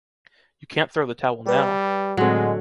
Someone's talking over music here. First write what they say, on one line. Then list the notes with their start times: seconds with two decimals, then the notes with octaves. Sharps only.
You can’t throw the towel now!
1.46 G3 G4 B4
2.17 A2 D3 F#3 G#3 C4